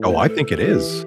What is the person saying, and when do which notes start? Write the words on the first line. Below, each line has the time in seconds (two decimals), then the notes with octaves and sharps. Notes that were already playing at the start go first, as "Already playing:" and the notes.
Oh, I think it is.
Already playing: A2
0.10 C5
0.18 B4
0.27 A4
0.62 E3 G4